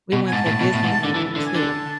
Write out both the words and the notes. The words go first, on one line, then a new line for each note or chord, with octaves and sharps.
we went to Disneyland too
B2
G#5
G#2 A5
A2
B2
A2
G#2
D3
E3
D3
G#5
D3 A5